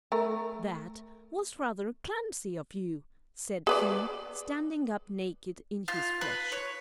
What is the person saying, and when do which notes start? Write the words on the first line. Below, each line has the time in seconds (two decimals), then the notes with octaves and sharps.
'That was rather clumsy of you,' said he, standing up naked in his flesh.
0.12 A3 A#4
3.67 G#4 B4 D5
5.88 F4
6.21 B4
6.52 C#5